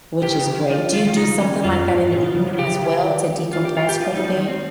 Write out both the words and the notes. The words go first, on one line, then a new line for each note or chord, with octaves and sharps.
which is great. Do you do something like that in the evening, as well, to decompress for the day?
C3 G4
D#3
C#3
D#3
F3 F4
D#3 F4
D#3 F4
C#3 D#4
D#3 C#4
F2 F4
G2
A#2
C#3
C#3
C3
D#3
C#3 G4
C#3
D#3
F4
G4
F4
G4
F3 F4
G3 D#4
F3
D#3 D#4
C4